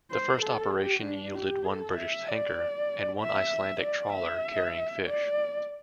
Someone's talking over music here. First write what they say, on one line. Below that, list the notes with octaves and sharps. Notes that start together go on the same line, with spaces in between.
This first operation yielded one British tanker and one Icelandic trawler carrying fish.
C5
A4
G4
D4
G4
A4
E5
D5
E5
D5
E5
D5